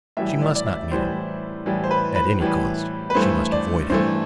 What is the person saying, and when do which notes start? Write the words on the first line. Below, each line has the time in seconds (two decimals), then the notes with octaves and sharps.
She must not meet him--at any cost she must avoid him.
0.17 A2 E3 G3 E5
0.42 D5
0.56 D5
0.66 E5
0.91 A2 E3 G3 C5
1.66 A2 E3 G3
1.84 C5
1.91 B4
2.15 B4
2.40 A2 E3 G3
3.10 B4
3.15 G2 E3 A3 C5
3.52 D5
3.90 G2 E3 A3 C5